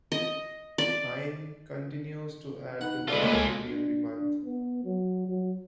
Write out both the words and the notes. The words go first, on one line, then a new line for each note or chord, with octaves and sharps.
Hein continues to add to the library every month.
D#5
D5
D#4 B4 F#5
G#3 F4 A4 B4 D5
C#2 A2 A#3 B4
C#2 F4 G#5
D4
D4
B3
F#3
F#3